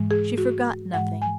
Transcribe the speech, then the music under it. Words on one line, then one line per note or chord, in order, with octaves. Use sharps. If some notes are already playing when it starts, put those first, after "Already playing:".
She forgot nothing.
Already playing: G#2 E3 G#3
G#4
F#4
G#2 E3 G#3 F#5
G#5